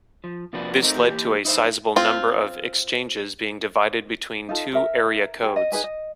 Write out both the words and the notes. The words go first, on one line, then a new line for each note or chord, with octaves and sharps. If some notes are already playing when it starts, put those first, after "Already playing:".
This led to a sizeable number of exchanges being divided between two area codes.
F3
C3 F3 A#3 D4 F#4 B4
A3 C4 D#4 A#4
E3 A#3 G4
D#4 E4 C5 E5
C4 F4
D#4 F4 A4
A#4 E5 A#5
G4 G#4
D#5
D#4 G#4 B4 G#5
D#5